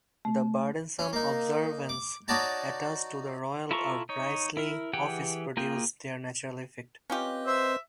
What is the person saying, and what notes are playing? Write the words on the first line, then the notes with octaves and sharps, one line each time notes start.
The burdensome observances attached to the royal or priestly office produced their natural effect.
A3
C#4
A#3 D#4
D6
D#4 F#4 C#5 D5 A5 A#5
E4 F4 A4 A#5 C#6
D#4 C#5
E4 A#4
E3 G4 G#4 F#5 G5
A#3 F4 G#4 G5
C4 C#4 F4 G4 B4 D#5
C5 E5